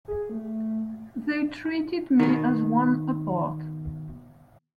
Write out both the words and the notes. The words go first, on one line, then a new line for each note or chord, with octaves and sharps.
They treated me as one apart.
G#4
A3
B2 D#3